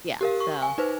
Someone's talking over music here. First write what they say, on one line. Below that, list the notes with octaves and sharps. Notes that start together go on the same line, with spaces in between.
Yeah, so
G4 A#4 F5
C#6
G#5
D#4 B4 C5